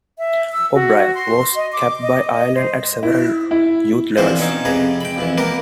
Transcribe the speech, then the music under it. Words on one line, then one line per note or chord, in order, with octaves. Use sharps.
O'Brien was capped by Ireland at several youth levels.
E5
E6
F#4
C6
D#5
D6
D#5
D#5
C5
E4
E4
B1 D3 E3 F3 C4 C5
B2 C#4 D#4 F5
F2 C3 G#4 B4 A#5
G5 B5
B1 F2 E3
A#3 B3 G4 A#4 B4